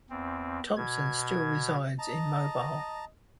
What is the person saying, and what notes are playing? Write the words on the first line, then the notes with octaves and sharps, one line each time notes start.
Thompson still resides in Mobile.
E2 C4
B2 G#6
D#5 A5 A#5